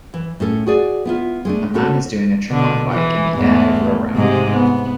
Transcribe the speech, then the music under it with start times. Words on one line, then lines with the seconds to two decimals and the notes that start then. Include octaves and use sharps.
A man is doing a trick on a bike in the air over a ramp.
0.14 E3
0.40 A2 C#4 A4
0.67 F#4 G#4 D5
1.05 B3 E4 F4
1.45 G#3 A3 D4
1.74 A3 A#3 C#4 D4 F#4 A4
2.49 B2 D3
2.91 E3
3.36 E2 G#2 A3
4.14 G#2 C3
4.52 B3